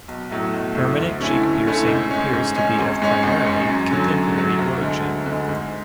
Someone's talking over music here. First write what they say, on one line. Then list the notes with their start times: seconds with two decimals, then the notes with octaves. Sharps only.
Permanent cheek piercing appears to be of primarily contemporary origin.
0.08 B1
0.31 A2 F#3 A3
0.53 B1
0.75 A2 F#3 A3
0.98 D2
1.20 D3 A3 C#4 E4
1.43 D2
1.66 D3 A3 C#4 E4
1.88 G#2
2.11 G#3 C#4
2.33 G#2
2.56 G#3 C#4
2.78 G#1
3.02 G#2 G#3 C#4
3.23 G#1
3.46 G#2 G#3 C#4
3.69 F#2
3.91 D3 F#3 C#4
4.14 F#2
4.36 D3 F#3 C#4
4.59 D2
4.81 D3 G#3
5.04 D2
5.26 D3 G#3
5.49 G#2